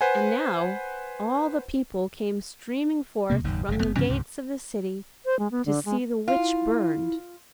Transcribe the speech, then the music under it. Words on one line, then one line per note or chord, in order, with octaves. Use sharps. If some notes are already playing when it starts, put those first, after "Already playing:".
And now all the people came streaming forth from the gates of the city to see the witch burned.
B4 C5 F#5 G#5
D2 C3 A#3
F#1 D#2 G#2
F#1 C#3
F#1 F#2 B3
G2 C#3 F3 C#4
C#2 G#2 C3
C5
G#3
B3
D3
G#3
E4 F4